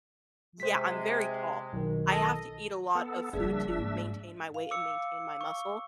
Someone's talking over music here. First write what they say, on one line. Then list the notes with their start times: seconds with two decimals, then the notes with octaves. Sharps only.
Yeah, I'm very tall; I have to eat a lot of food to maintain my weight and maintain my muscle.
0.60 C3 G#3 C5 B6
1.73 B1 D#3
2.08 A4 D#5
2.95 B3 A4
3.33 F#1 F3 G3 D4 G#4 E5
3.78 G#2 A#3
4.54 F5
4.71 D6 E6 C#7
5.41 C#6